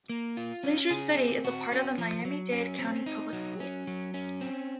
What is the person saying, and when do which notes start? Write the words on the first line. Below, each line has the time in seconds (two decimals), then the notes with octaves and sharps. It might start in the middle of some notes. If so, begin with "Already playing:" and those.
Leisure City is a part of the Miami-Dade County Public Schools.
0.09 A#3
0.37 F4
0.64 C#4
0.91 G#4
1.17 C4
1.45 F#4
1.72 C#4
1.98 F3
2.25 F#3
2.52 C#4
2.79 C4
3.06 D#4
3.33 F#3
3.60 C#4
3.87 F#3
4.14 C#4
4.41 C4